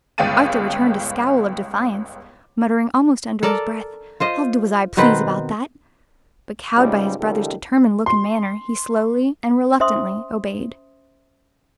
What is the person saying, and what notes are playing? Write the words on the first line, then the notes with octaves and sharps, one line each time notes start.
Arthur returned a scowl of defiance, muttering almost under his breath, "I'll do as I please about that;" but cowed by his brother's determined look and manner, he slowly and reluctantly obeyed.
G1 C#2 F5 G5 A6 D#7
A4 A#4 D5
F4 C5 D#5
B2 D#3 C4 B4
C#2 G#2 G3 C#4
C#2 D#3 G3 G4 A4
C6
C#4 C5 E5 C6 D#6